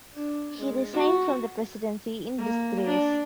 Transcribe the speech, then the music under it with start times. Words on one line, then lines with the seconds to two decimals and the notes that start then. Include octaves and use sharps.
He resigned from the presidency in disgrace.
0.14 D4
0.57 G#3
0.93 F#4
2.38 A#3
2.87 D4